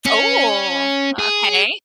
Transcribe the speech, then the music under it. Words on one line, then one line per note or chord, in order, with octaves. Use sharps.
Ooh, okay.
C#4
G#4